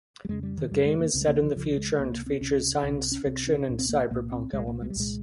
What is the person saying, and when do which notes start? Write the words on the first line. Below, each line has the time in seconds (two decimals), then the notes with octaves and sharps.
The game is set in the future and features science fiction and cyberpunk elements.
0.25 G3
0.29 F2 C#3 G#3
0.43 G3
0.58 D#3
0.71 F2 C#3 G3
0.85 G#3
1.00 A#3
1.14 C#2 C#3 C4
1.21 G#3
1.28 A#3
1.42 F3
1.56 C#2 C#3 F3
1.77 G#3
1.98 C#2 C3 A#3
2.12 A#3
2.26 C4
2.41 C#2 C3 C#4
2.83 C2 C3 C#4
2.98 C4
3.12 C#4
3.26 C2 C3 C4
3.47 C#4
3.68 C2 A#2 C#4
3.79 C4
3.89 A#3
4.11 C2 A#2 A#3
4.32 C4
4.53 C2 A#2 G#3
4.67 A#3
4.82 G#3
4.90 G3
4.95 C2 A#2 G#3